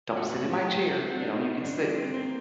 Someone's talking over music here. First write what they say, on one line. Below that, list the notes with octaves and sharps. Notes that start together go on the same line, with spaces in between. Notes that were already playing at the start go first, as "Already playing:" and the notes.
"Don't sit in my chair." You know, "You can sit"
A2 F#4
G4
F#4
C4
D4
D#4
G2 D3 D4
D4
C4
C4
A#3